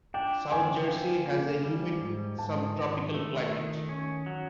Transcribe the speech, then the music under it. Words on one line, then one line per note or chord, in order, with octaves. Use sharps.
South Jersey has a humid subtropical climate.
D4 G5
F3 G#5
F3
A#3
G3
G#2
G#2 A5
D#3
A3
D#3
C#4
F#3